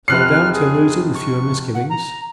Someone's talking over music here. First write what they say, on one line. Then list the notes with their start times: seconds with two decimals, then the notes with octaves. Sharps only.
So no doubt he'll lose it with fewer misgivings.
0.08 F1 F6 F#6 C7
0.52 G#4
1.15 C#6
1.74 F#5
1.89 A#5